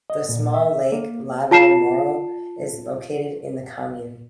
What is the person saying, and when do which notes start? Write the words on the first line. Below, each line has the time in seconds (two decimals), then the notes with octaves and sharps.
The small lake Lago Moro is located in the commune.
0.10 D#5
0.29 A#2
0.54 E5
0.92 A#3
1.51 F4 A5 C7 E7